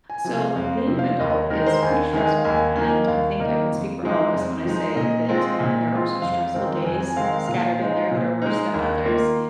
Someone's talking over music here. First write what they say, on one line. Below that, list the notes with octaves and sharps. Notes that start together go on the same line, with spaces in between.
So, being an adult is pretty stressful, and I think I can speak for all of us when I say that, uh, there are some stressful days scattered in there that are worse than others.
G#5
C3 F3 G#5
F5
F2 F5
C5
C3 F3
F5
D#2 D#5
D#3 G#3 D#4 A#4
C5
D#2 G#5
D#3 G#3 D#4 G#5
F5
D#2 G#5
D#3 A#3 D#4 G#5
D#2 F5
D#3 A#3 D#4
F2
F3 G#3 D#4
F2
F3 G#3 D#4
A#2 D#5
G#3 C4 F4
A#2
G#3 C4 F4
F2 F5
D#3 G#3 C4
F2 G#5
G#5
D#3 G#3 C4 F5
F5
A#2 F5
G#3 D#4
A#2
G#3 D#4
D#2
D#3 A#3 F4